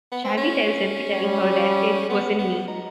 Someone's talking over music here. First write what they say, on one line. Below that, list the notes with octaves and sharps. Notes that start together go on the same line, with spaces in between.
Shaggy tells him to tell her that It wasn't me.
B3
C4
C#4
G3
B3
B3
D#4